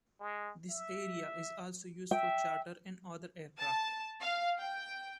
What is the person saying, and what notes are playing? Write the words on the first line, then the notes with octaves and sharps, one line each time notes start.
This area is also used for charter and other aircraft.
G#3
E5
E5 G5
A5
F5
G5